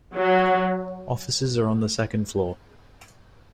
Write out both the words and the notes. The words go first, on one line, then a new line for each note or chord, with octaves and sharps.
Offices are on the second floor.
F#3